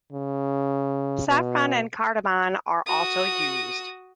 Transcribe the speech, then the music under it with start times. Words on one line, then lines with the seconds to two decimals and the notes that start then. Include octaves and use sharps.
Saffron and cardamom are also used.
0.13 C#3
1.28 B2
2.86 F#4 D#6